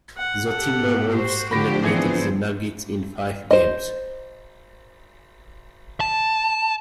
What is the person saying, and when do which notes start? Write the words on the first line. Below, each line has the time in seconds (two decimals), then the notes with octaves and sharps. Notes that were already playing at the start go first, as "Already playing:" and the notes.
The Timberwolves eliminated the Nuggets in five games.
0.17 F#5
0.48 G4 A4 F#5
0.80 G#2 A#3 B3
1.14 F#4 C5
1.51 G#2 D3 F3 D4 G4 C5 B5 A#6
1.84 E3 B3 C4 G#4 G#6 C#7
3.51 C5 D#5
6.00 A5